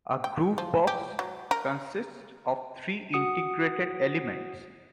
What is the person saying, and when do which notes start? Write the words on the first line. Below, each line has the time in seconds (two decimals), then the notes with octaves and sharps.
A groovebox consists of three integrated elements.
0.24 G5
0.58 F3
0.87 G4
1.19 F#3
1.51 A#4
3.13 F#4 F#5 D#6 C#7